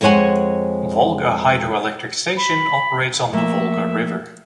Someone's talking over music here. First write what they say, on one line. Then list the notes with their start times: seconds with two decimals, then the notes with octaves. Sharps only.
Volga Hydroelectric Station operates on the Volga River.
0.01 F2 G#3 C5 C#5 F#5 G#5
2.37 B5
3.32 F3 A3 A#3 E5